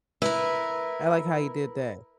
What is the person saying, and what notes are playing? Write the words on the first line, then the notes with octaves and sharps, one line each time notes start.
I like how he did that.
E4 A#4 B4